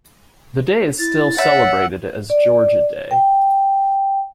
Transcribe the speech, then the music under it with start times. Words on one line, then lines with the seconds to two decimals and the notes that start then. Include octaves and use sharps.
The day is still celebrated as Georgia Day.
0.99 E4 A6
1.38 C#5 E5 F#5
2.30 D5
3.11 G5